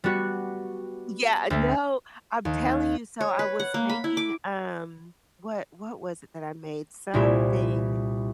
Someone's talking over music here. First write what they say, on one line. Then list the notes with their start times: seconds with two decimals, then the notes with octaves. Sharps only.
Yeah, no, I'm telling you, so, I was making, um what what was it that I made? Something
0.04 G3 B3 F#4
1.50 D2 A3
2.45 D#2
3.21 C#5
3.39 B4
3.60 F#5
3.74 A#3
3.89 B5
4.04 E4
4.17 D6
7.14 C2 A#2 E4 G4 E7